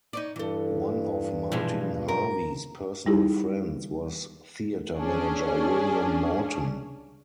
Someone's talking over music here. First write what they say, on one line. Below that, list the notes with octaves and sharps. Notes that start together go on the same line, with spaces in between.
One of Martin Harvey's personal friends was theatre manager, William Morton.
D#4 C#5 D5
G2 E3 A4
B2 E3 F3 G#3
A#4
G3 D#4 E4 G4 G#4
C#4 D4 G#4